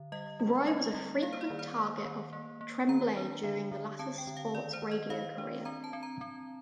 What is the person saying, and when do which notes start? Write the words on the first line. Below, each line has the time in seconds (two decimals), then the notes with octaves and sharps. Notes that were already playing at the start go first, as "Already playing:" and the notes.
Roy was a frequent target of Tremblay during the latter's sports radio career.
Already playing: D3
0.12 G3 D#5
0.40 G3
0.67 C4 D#5
0.95 G3
1.22 A#3 F5
1.33 C5
1.41 D5
1.50 D#3
1.59 C5
1.78 A#3
2.05 D#3
2.33 A#3
2.61 A#3
2.89 D#3 A#5
3.17 D4
3.43 D3
3.71 D3
3.99 C4 A5
4.18 G5
4.27 D3
4.37 F5
4.54 D#3 D5
4.73 C5
4.82 D#3
4.91 D#5
5.10 D#3 F5
5.38 D4
5.65 C4 A#5
5.84 A5
5.93 C4
6.03 A#5
6.21 C4